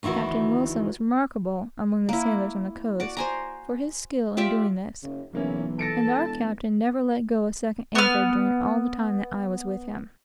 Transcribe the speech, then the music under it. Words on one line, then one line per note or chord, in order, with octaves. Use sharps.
Captain Wilson was remarkable, among the sailors on the coast, for his skill in doing this; and our captain never let go a second anchor during all the time that I was with him.
D2 D#3 E3 E4 F#4
A#3 E4
F#4 D5
C5 G#5 A#5
F4 G4 D5 E5
F#1 C#3
B1 E2 C#3 E3 A#3 C#4 E4
A4 A5 A#6 C#7 D7
E1
B3 F6